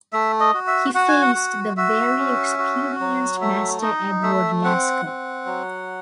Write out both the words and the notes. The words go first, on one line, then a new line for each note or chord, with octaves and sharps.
He faced the very experienced master Edward Lasker.
A3 E5
D#5
F#4
E5
F#4 F#5
G#5
F#5
F#4
F#4 E5
C#4
F#4
F#3
A3 E5
D#4 D#5
A3 E5
C4 F#5
C4
F#3